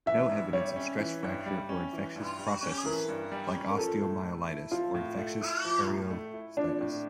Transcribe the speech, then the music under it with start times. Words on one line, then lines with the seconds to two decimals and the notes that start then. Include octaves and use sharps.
No evidence of stress fracture or infectious processes like osteomyelitis or infectious periostitis.
0.06 E3 E5
0.29 G2
0.53 G3 C#5
0.76 C#4
0.99 E3
1.23 G2
1.46 G3
1.69 C#4
1.93 E3
2.16 G2
2.39 G3
2.63 C#4
2.85 E3 A#4
3.09 G2
3.32 G3
3.55 C#4
3.70 A#4
3.78 F3 A4
4.02 A2
4.25 A3
4.48 E4
4.71 F3 F4
4.95 A2
5.18 A3
5.42 E4
5.65 F3
5.88 A2
6.11 A3
6.34 E4
6.57 F3 D4
6.81 A2